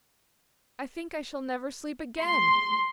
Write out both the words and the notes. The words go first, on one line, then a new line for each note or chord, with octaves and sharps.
I think I shall never sleep again.
C6